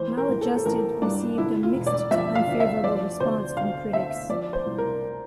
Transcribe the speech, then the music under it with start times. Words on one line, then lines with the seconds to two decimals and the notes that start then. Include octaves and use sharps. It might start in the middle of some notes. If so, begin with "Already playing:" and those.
"Maladjusted" received a mixed-to-unfavourable response from critics.
Already playing: E3 C5
0.17 A#4
0.29 A1
0.41 A4
0.57 A4
0.65 A1 A#4
1.02 G2 D4
1.38 D3 E4
1.63 F4
1.75 E1
1.87 D5
2.11 F3 E5
2.35 F5
2.48 D2
2.60 E5
2.84 F3 D5
3.20 D2 C5
3.57 D2 F5
3.93 D3 E5
4.29 F3 D5
4.53 C5
4.66 C2
4.78 A#4